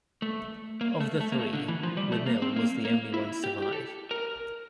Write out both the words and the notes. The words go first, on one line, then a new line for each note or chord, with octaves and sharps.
Of the three, Wimille was the only one to survive.
A3
A#3
A3
A3
A#3
A3
D3
E3
F3
G3
A3
A#3
C4
A#3
A#3
E4
G4
G4
A4
A#4